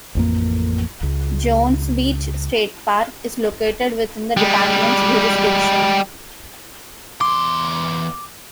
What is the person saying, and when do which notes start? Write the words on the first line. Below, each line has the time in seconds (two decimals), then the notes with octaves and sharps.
Jones Beach State Park is located within the department's jurisdiction.
0.15 A1 F2 A#3
1.03 C#2
4.37 G3 G#3
7.21 E2 C6 D6